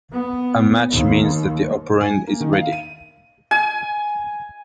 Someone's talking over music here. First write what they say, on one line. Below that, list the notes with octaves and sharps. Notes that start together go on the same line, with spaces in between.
A match means that the operand is ready.
B3
D#2
G#5
A#3
D#3
F5
D#7
G#5